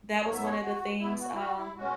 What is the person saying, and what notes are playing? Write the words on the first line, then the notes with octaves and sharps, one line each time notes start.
that was one of the things, um,
G#2 F#3 B3 C#5
E5
C#5
F#4
B2 B3 E4
F#4
E4
F#4
E4
B2 G#3 C#4 F#4